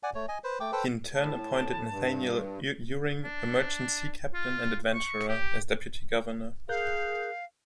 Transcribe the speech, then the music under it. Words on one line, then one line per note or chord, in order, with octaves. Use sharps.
He in turn appointed Nathaniel Uring, a merchant sea captain and adventurer, as deputy-governor.
D5 F#5 G#5
A3 C#5
D#5 G#5
B4 C5
A3 G5 D6
A4 B4 C5 G5
A2 A5
G2
D4
F4
C#6
G4
G#4 A#4 F5 F#6 G6